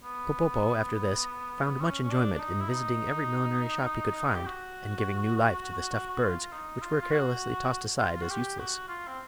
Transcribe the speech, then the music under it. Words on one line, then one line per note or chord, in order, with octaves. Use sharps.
Popopo after this found much enjoyment in visiting every millinery shop he could find and giving new life to the stuffed birds which were carelessly tossed aside as useless.
B3
C#4
C#4
D4
D4
D#4
E4
D#4
G4
F#4
F4
D#4
F4
F4
F#4
F4
F#4
G4
F#4
F4
C4